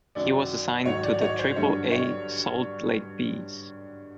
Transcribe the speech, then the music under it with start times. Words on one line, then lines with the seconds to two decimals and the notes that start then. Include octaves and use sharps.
He was assigned to the Triple-A Salt Lake Bees.
0.15 F#2 D#3 F#3 D5
0.86 G#2 D#3 F#3 C#5
1.03 D5
1.21 C#5
1.39 C5
1.56 G2 D3 F#3 C#5
1.92 C#5